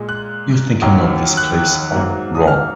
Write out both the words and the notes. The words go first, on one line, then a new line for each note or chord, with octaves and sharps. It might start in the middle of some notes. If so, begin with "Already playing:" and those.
You're thinking of this place all wrong.
Already playing: A#2 G#3
F#6
D#2 D#3 F#3 A#3
F#6
G#2 F#3 A#3
D#6
F6